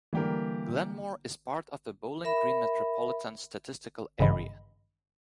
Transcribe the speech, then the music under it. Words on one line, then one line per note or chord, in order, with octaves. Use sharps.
Glenmore is part of the Bowling Green Metropolitan Statistical Area.
D3 E3 G3 A#3 G4 A#4
A#4 E5 B5
G#1 G2 C#3 E3 D#5 B5